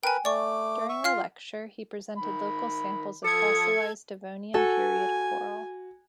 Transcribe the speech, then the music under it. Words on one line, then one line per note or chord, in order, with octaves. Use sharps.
During the lecture he presented local samples of fossilized Devonian period coral.
A#4 B4 G5 G#5
A3 D5 C#6 D6
E5 C#6
F4 F5 F6 C7
D#3 B5
F3 A4 D#6 G#6 C#7
F#4 A4 G#5